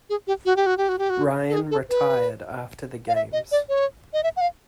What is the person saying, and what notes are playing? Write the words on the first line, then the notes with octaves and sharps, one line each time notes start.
Ryan retired after the games.
G#4
G4
F#4
G4
F#4
G4
F#4
G4
F#4
A4
G#4
A4
B4
F5
E5
D#5
D5
C#5
D#5
E5
F#5
F5